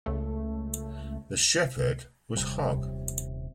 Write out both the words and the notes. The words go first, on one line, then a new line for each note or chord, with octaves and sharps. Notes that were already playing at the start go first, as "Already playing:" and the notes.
The Shepherd was Hogg.
C#2 A3
D#1 C3 G3